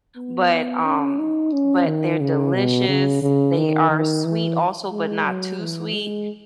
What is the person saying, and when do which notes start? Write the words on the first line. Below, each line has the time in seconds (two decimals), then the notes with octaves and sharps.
but, um, but they're delicious, they are sweet also, but not too sweet,
0.16 B3
0.85 C#4
1.19 D#4
1.53 C#4
1.86 D#3
2.21 C#3
2.55 B2
2.88 C#3
3.22 C#3
3.56 D#3
3.90 D#3
4.25 E3
4.92 G#3
5.26 F#3
5.61 E3
5.94 G#3